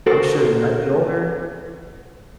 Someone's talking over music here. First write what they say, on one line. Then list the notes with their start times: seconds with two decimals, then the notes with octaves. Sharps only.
I'm sure when I get older,
0.07 F#4 A4 A#4 C5